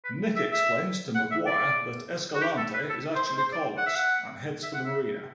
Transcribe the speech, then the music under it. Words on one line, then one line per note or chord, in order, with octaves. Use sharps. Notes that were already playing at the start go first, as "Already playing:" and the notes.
Nick explains to Maguire that Escalante is actually Carlos and heads for the marina.
B4
E5
E5
F#5
E5
D5
F#4
G4
A4
B4
A4
C5
C5
C5
D5
F#5
E5
F#5
E5
F#5
E5